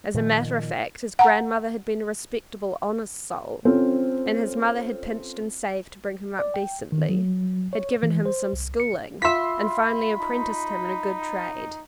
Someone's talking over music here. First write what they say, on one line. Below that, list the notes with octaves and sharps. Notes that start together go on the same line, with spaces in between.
As a matter of fact, his grandmother had been a respectable, honest soul, and his mother had pinched and saved to bring him up decently, had given him some schooling, and finally apprenticed him in a good trade.
A#2 D#3 F3
F#5 A#5
C4 C#4 F4 A4 C5
D5
G5
D#3
F#3
C#5
E3
C5
C2
C#7
F4 E5 B5 C6 B6
D#4